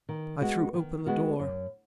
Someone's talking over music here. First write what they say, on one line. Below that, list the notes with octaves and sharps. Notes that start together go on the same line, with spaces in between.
I threw open the door.
D#3
G#3 B3 F#4
D#3
G#3 B3 F#4
F#2